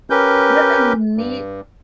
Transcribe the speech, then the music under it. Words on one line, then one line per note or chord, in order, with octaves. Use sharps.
What a neat
C#4 G4 A#4 B4 G6
G2